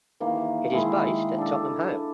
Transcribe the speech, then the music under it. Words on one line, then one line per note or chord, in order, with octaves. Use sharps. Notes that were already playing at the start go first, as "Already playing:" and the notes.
It is based at Tottenham Hale.
D#3 E3 A#3 G#4
D#3 G#3 E4 G#4
D4 A4